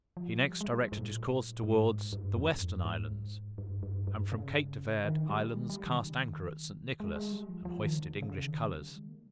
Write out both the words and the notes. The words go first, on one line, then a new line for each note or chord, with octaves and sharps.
He next directed his course towards the western islands, and from Cape de Verd islands cast anchor at St. Nicholas, and hoisted English colors.
F3
G3
G#3
G3
G#2
A#2
G#2
G2
F2
G2
G#2
G2
G2
G2
C#3
D#3
G3
G#3
G3
D#3
C#3
D#3
G#3
G#3
G3
F3
F3
D#3
C#3
C#3
D#3
G3
G#3
A#3